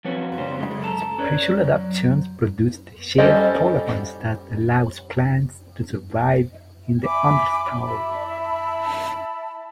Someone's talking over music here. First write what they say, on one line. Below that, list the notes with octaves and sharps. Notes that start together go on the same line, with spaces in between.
Special adaptations produce the shade tolerance that allows plants to survive in the understory.
F3 C4 C#4 F#4 B4 C#5
C#3 A3 C#4 D4 G4 C5
F#2 C#3 G#3
A4 A5 A#5
C#4 B4 C#5 D5
F#3
G3 C#4 A4 C5 D#5
E5 G#5 B5 D6
E4 E5 A5 B5